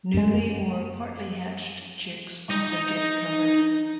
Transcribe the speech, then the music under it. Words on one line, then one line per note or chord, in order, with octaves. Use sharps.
Newly or partly hatched chicks also get covered.
F#2 G#3
D#4 D#5